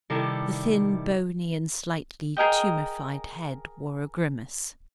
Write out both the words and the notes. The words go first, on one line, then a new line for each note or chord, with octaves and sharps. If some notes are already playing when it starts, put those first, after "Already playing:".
The thin, bony, and slightly tumefied head, wore a grimace.
C3 D#3 G3 E4 A4
G#4 A#4 D#5 G5